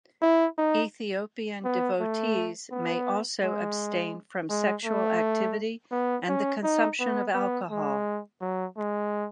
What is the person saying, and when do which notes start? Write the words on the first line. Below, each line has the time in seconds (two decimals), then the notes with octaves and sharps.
Ethiopian devotees may also abstain from sexual activity and the consumption of alcohol.
0.22 E4
0.58 D#4
1.65 B3
2.00 A3
2.71 B3
3.43 G#3
4.50 G#3
4.85 A3
5.92 B3
6.28 C#4
6.63 D#4
7.00 B3
7.34 B3
7.70 G#3
8.41 F#3
8.77 G#3